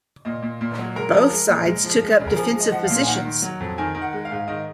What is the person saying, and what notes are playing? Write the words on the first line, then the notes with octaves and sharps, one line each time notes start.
Both sides took up defensive positions.
A#2 D#5
A#2
A#2
F#3
G#3 A#4
F3
G#3
A#2
G#3
F3
G#3
C#3
A#4
F3 G#4
G#3
D#5
F3 F#5
F5
A#2
G#5
D#3 F#5
D#3
F#3
F2
D#3 G#5
D#3
F#5
G#3
F5
G#2
D#3 D#5